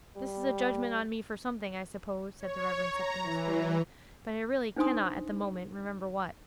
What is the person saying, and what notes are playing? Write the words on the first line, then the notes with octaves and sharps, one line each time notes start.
'This is a judgement on me for something, I suppose,' said the Reverend Septimus, wearily, 'but I really cannot at the moment remember what.'
G3
C#5
A#5
E3
D4 D#4 C5 G#5 C6 D#6